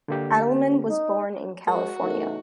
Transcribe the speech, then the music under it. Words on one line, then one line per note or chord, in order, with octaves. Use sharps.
Adleman was born in California.
D3 A#3 G4
D#4
G#3 F#4 A#4
E2 C#3 A3 D#4